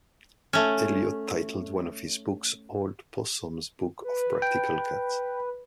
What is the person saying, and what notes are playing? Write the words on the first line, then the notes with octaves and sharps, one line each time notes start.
Eliot titled one of his books "Old Possum's Book of Practical Cats".
A3 C#4
B4
G5